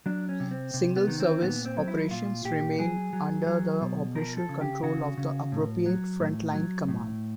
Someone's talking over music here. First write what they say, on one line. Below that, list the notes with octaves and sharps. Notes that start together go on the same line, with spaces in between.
Single-service operations remain under the operational control of the appropriate front-line command.
F#3 D4
C#4
C3
C4
C3
B3
D#3
C4
A#2 B3
C4
F#3
E4
A#2 F4
A#2 G4
F#3 G#4
F#3
F#3
B2
F3 A#4
A4
C#3
G4
C#3 F#4
C#3
A2
F#3
A2
F#3
A2